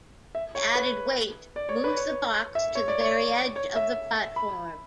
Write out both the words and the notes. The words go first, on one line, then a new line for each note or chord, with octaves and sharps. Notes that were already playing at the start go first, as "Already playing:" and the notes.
The added weight moves the box to the very edge of the platform.
E5
C#5
B4
D5
C#5
B4
C#5
E5
C#5
D5
C#5
C#5
E5
B5